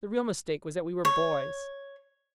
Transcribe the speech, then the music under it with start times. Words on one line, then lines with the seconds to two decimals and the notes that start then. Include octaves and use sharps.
The real mistake was that we were boys.
1.05 C#5